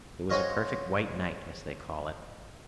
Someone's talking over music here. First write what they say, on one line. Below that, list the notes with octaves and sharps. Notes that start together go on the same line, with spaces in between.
It was a perfect white night, as they call it.
F#4 G#4 C5 C#5 D#5 F5